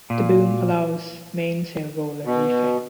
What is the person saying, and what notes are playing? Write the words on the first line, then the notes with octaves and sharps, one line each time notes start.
The boom allows mainsail roller reefing.
A#2
B2